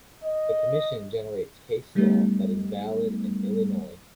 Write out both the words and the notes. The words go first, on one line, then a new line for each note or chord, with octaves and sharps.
The Commission generates case law that is valid in Illinois.
D#5
F#3 G3 A3 B3 D#4